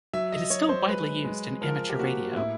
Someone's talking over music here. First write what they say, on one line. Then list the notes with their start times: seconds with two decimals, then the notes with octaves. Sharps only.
It is still widely used in amateur radio.
0.14 F#3 E5
0.32 D#5
0.50 F#3 C#5
0.69 C5
0.87 G#3 B4
1.24 G#3
1.61 F3 A#4
1.89 G4
1.99 A#3 F#4
2.36 A2 E4